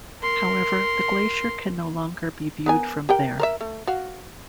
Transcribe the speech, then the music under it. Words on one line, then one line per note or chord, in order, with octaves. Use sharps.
However, the glacier can no longer be viewed from there.
A#4 C6
B3 A#4 G#5
G4 A#4 G5
A#4 C5 E5
A3
F#4 F5